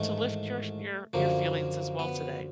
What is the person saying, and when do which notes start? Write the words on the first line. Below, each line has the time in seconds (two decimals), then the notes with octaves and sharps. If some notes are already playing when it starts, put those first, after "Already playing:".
to lift your your your feelings as well today.
Already playing: A1 G#2 D#3 A3
1.13 F#2 D3 F3 A#3
1.99 B3